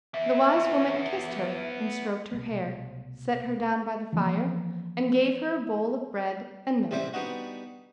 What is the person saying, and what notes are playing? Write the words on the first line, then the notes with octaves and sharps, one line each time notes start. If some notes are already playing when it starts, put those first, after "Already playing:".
The wise woman kissed her and stroked her hair, set her down by the fire, and gave her a bowl of bread and milk.
B3 E5
C2 B2 G3 A3
E3 F3 A3 A#3
A1 C3 G3 C5 D5 E5
G3 B3 D4 D#4 F#4